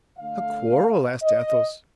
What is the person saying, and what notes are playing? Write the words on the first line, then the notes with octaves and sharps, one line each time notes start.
"A quarrel?" asked Athos.
D3 A3 F5
D#5